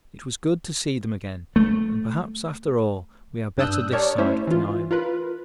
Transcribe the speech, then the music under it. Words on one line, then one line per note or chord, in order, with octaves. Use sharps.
It was good to see them again, and perhaps after all we are better this side of the Island.
A3
G2 D4 D#6 E6 F#6 G6
G4 A#4 C#5 D5 A5
A3 C#4 E4 C5 E5
E3 F4
F4 A#4 B4